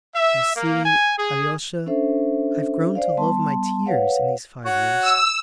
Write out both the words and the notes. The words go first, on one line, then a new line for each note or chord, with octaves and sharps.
You see, Alyosha, I've grown to love my tears in these five years....
E5
A#3
G#5
G#4
C#4 D4 A4 C5 E5
C5 D5 F5
G3 B3 A5 C6
B4 C#5 F5 F#5
F#4 C#5 F#5
E6